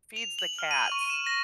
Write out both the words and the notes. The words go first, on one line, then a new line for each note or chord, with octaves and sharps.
feeds the cats
F7
F#7
F6
D#7
C#6
E7
A#6